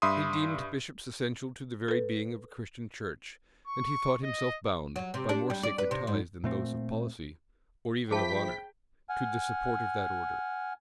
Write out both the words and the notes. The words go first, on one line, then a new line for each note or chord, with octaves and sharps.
He deemed bishops essential to the very being of a Christian church; and he thought himself bound, by more sacred ties than those of policy, or even of honor, to the support of that order.
G2 E5 B5 C6 D#6
A4 B4
C#6
D#5
F#3
C3
D4
G3
D5
B4
C3
G#2
A#2 A3 C4
F3 G#4 C5 E5 G5 A5 B5 B6
F#5 G#5 F6